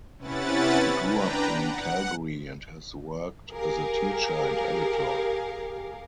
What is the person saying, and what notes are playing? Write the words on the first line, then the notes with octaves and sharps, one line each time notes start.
He grew up in Calgary and has worked as a teacher and editor.
C3 C#4 E4 B4 F#5 A6
D4 B4 G5 A#5
F#5
G4 G#4 A#4 F5